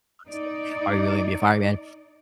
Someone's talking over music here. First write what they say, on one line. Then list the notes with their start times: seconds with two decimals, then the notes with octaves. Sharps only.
honestly, are you really gonna be a fireman?"
0.27 D#4 D5